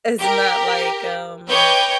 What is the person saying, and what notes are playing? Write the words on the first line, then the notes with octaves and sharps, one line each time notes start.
it's not like, um,
G4 A#4
B4 C#5 D#5 G5 D6 G6